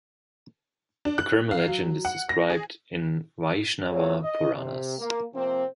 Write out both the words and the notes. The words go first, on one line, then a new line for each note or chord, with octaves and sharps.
The Kurma legend is described in Vaishnava Puranas.
D4
F#6
F5
F#3
F#5
A#6
G#4
F#3 A3 C4 F4 G#4 C#5
D#5
C3
A#3
C3 F3 A#3 C4